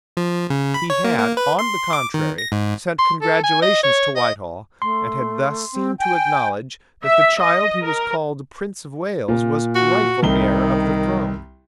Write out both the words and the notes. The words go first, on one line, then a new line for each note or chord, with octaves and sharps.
He had, on the contrary, sent congratulations to Whitehall, and had thus seemed to acknowledge that the child who was called Prince of Wales was rightful heir of the throne.
F3
C#3
B5
C#5
A#3
A#3
B4
C6
D6
D#3
A#6
G#2
C6
A4
G#5
D#5
C#5
D#5
A3 C6
C4
G5 G#5
E5
D#5
A#4
A#2
F#4
C2 D#3 G7